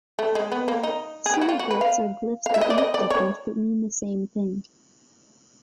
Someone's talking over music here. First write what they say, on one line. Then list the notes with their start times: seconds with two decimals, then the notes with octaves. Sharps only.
Synoglyphs are glyphs that look different but mean the same thing.
0.19 A3
0.35 G#3
0.52 B3
0.68 A#3
0.83 D#4
1.26 G#4
1.34 G4
1.41 F#4
1.49 F4
1.59 F#4
1.71 B4
1.81 F5
2.46 F5
2.54 E5
2.61 D#5
2.70 D5
2.78 D#5
2.94 D5
3.10 C#5